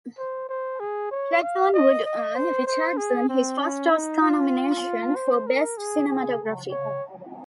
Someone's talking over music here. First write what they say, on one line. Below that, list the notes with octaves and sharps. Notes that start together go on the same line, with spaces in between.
"Platoon" would earn Richardson his first Oscar nomination for Best Cinematography.
C5
C5
G#4
C#5
F5
D#5
D#5
C5
C5
G#4
C4
C#4
D#4
F4
C5
A#4
G#4
G#4
C#5